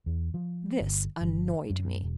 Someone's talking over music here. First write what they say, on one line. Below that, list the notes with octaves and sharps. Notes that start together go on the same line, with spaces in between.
This annoyed me.
E2
F3
G1
G1
F#2
E1